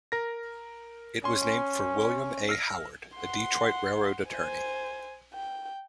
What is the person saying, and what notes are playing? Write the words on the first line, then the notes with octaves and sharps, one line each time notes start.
It was named for William A. Howard, a Detroit railroad attorney.
A#4 A#6
C#4 G#5 C6
E6 F6 A#6
F#5 C6
C5 G#5
G5